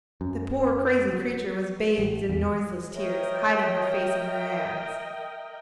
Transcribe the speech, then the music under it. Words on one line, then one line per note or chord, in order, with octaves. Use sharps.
The poor, crazy creature was bathed in noiseless tears, hiding her face in her hands.
F#2
F#3
A1
E2
A#4 C#5 D#5 E5 G5